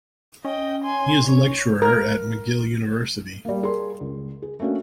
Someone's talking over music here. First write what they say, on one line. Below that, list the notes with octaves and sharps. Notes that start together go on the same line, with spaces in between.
He is a lecturer at McGill University.
C#4 D#5 G5
G#5 C6
C#5
A#4
G3 A#3
G#4 A#4 C6
C#2
G#4
A3 A#3 C#4 D4 F#4